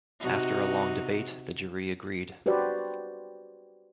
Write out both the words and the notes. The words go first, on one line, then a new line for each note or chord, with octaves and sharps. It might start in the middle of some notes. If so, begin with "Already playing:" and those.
After a long debate, the jury agreed.
C3 D#4 F#4
F#4 G4 B4 C5 D5